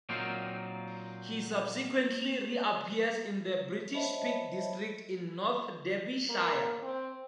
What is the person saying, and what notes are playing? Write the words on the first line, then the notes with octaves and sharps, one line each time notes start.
He subsequently reappears in the British Peak District in North Derbyshire.
A#2 F#3 A#3 C4 D#4 F4
C5 C#5 D#5 E5 A5 B5
A#3
C4